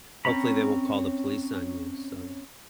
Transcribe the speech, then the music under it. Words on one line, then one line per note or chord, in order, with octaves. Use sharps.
hopefully they won't call the police on you, so
C4 C#4 C#5 A#5 B5